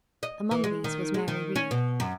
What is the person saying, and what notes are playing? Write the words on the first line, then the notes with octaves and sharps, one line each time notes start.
Among these was Mary Read.
D#5
E3
G#3
D#3
G#3
D#3
C#4
B2
F#2